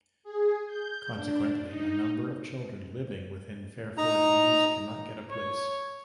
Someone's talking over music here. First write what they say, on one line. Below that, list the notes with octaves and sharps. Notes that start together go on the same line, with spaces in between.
Consequently, a number of children living within Fairford Leys cannot get a place.
G#4
G6
D4
D#4
D#4 A#5
C#5